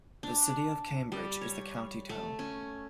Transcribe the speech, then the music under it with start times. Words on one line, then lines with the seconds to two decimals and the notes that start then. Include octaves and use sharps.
The city of Cambridge is the county town.
0.23 D4
1.12 G3
1.41 C#5
2.09 A3
2.39 C#4